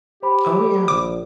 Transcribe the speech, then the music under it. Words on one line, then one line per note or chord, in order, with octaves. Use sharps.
Oh, yeah.
G4 C5 B5
A#1 D6